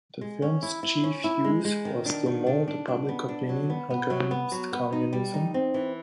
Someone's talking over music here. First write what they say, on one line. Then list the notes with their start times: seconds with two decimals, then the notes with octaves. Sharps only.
The film's chief use was to mold public opinion against communism.
0.21 G#3
0.42 C#4
0.63 E4
0.83 E4
1.04 C#4
1.24 E4
1.45 G#3
1.65 G#3
1.85 D#3
2.06 D4
2.26 D#3
2.47 D4
2.68 D4
2.88 D4
3.09 B3
3.29 D4
3.49 F#3
3.70 B3
3.90 B3
4.10 F#3
4.31 B3
4.52 F#3
4.73 B3
4.93 D#4
5.13 G3
5.34 D#4
5.54 C4
5.74 E3